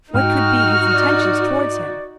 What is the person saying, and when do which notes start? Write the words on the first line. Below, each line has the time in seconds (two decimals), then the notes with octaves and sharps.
What could be his intentions towards him?
0.15 G#2 D#4 F#4 G5 F6
0.93 D5